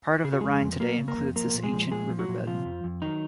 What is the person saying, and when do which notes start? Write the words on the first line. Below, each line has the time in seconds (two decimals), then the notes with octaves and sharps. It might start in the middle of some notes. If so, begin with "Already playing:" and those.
Part of the Rhine today includes this ancient riverbed.
0.24 C#3 G#4
0.33 F#4
0.41 F2 G#3 G#4
0.61 F2
0.80 F#3 A#3 A#4
0.98 C#3
1.08 A#3 A#4
1.17 F2
1.36 F3 A#3 A#4
1.54 A#2
1.63 G#3 G#4
1.73 F3
1.91 A#2 G#3 G#4
2.09 F3
2.19 F#3 F#4
2.28 A#2
2.47 C3 F3 F4
2.65 F2
2.84 F2
3.02 D#3 F#3 D#4